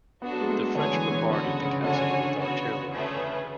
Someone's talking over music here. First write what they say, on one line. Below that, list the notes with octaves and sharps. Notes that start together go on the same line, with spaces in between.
The French bombarded the castle with artillery fire.
B3 D4 F#4 A4
F#3
G#3
A3
D3 G#4 C#5 G#5
E3
E3
D3 B3 F#4 C#5
C#3
C#3
D3 D4 F#4 C#5 G#5
B3 F#4 C#5
A3 C#4 G#4 B4